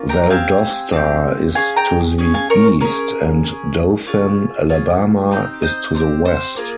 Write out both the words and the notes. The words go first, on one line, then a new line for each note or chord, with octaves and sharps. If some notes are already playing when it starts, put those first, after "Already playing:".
Valdosta is to the east, and Dothan, Alabama, is to the west.
Already playing: A#3 C#4 F4
G5 A#5
C4 G4 F5 G#5
C4 G4
C#4 G#4 F5 G#5
G5 A#5
C#4 G#4
F5 G#5
A#4 C#5
C#4 G#4 A#4
C#4 G#4
C#4 F4 G#4
C#4 F4 G#4
C4 D#4 G4
C5 D#5
C4 D#4 G4 C5
C5
A#3 F4 G#4